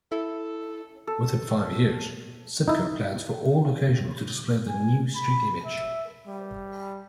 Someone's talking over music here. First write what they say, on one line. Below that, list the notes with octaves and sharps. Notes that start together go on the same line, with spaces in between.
Within five years, Citgo plans for all locations to display the new street image.
E4 A4
A4
D#4 E4
G#5
B5
E5
G3